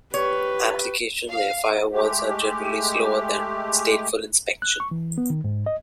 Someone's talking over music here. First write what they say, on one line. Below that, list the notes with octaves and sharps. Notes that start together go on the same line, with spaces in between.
Application layer firewalls are generally slower than stateful inspection.
G4 B4 C#5
F5
G#3 A3 G4
F#6
C#6
E3
B3
D#3
G#2
D#5